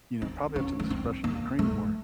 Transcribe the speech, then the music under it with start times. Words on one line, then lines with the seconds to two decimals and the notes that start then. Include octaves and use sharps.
You know, probably up to this Russia-Ukraine war,
0.22 C4
0.56 C#4
0.80 A#3
0.90 C4
1.24 A#3
1.59 A3